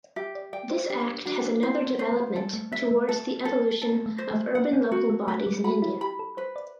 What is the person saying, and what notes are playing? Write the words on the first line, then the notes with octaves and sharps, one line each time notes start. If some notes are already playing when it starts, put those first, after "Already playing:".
This act has another development towards the evolution of urban local bodies in India.
G4 E5
D5
D5 G5
C5
D4 G4
D4 F#4
E4 C5
C4
C5
A3
G3 A4
A3
B3 E5
A3
A4
A4
A4
A3
C5
A3
B3 F#5
C4
A3 F#4
A3
A3 B4
G3
F#4 B5
E4
G4 B5
A4
B4 C5
D5